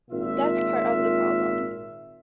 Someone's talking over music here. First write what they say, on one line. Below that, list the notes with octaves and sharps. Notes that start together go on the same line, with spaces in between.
That's part of the problem...
G#1 A#2 F4 E5